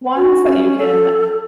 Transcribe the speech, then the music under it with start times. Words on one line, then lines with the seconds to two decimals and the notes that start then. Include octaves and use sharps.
ones that you can
0.17 F#4
0.46 C#4
0.78 A4